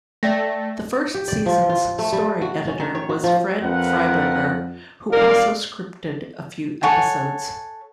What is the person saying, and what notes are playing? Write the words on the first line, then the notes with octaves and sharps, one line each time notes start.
The first season's story editor was Fred Freiberger, who also scripted a few episodes.
A3 D5 G5 A#6
G4
D5
F3
F4
A3
G3
F#4
C#4
D#3
C#5
F#4
F3
F2 A#4 B4 F#5
F1 A#4 D5 F5
A4 C#5 F#5 G#5